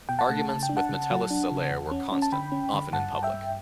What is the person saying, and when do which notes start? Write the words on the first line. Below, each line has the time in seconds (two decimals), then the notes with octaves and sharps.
Arguments with Metellus Celer were constant, often in public.
0.09 B2 G5
0.19 F#5 A5
0.29 A3
0.49 C#3 A5
0.63 G5
0.70 D4
0.77 F#5 A5
0.89 C#3
1.11 F#3
1.31 D4
1.51 C#3
1.70 E2
1.91 C#4
2.12 C#4
2.22 A5
2.32 D3 G5 B5
2.52 C#4
2.73 D3
2.92 G2 F#5 A5
3.13 G2
3.23 E5 G5
3.34 G2